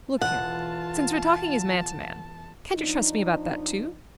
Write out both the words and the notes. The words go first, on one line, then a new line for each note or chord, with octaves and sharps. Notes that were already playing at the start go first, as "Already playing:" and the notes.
"Look here; since we re talking as man to man--can't you trust me about that too?"
E1 B3 F4 F#5 A5
F3 D4 D#4